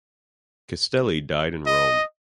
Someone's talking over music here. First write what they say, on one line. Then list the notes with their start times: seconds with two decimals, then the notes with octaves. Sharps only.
Castelli died in Rome.
1.67 D#5